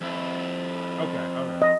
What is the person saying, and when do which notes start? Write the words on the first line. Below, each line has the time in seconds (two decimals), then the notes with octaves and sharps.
Okay, alright.
0.01 F2 E4
1.62 D#5